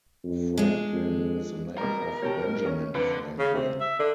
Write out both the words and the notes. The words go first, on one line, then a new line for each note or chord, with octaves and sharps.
Franklin is the name of Benjamin Franklin.
F2
G#3 D4
F2
B2 G3 A#4
B2 G3 C#5 G5 A5
C#4
F2 D3 B4
C#3
C3
E5
D3